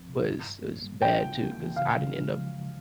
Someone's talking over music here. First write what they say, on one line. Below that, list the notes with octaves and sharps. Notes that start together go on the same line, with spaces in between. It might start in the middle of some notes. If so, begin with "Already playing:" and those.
Was was bad too 'cause I didn't end up
Already playing: C2 F3 C4
C3
G2
G2
A#3
G3
F4 G5
C#3
A#3
E3
C#3 F5
C#3
G#3
F3